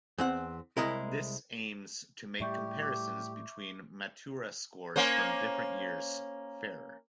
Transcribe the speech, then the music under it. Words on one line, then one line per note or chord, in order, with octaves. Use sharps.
This aims to make comparisons between Matura scores from different years fairer.
E2 C4 F#5
C2 F#2 G#3 E4 A#4
A2 G3 G4 E5 C#6 G6
D6
A#3 C#4 C5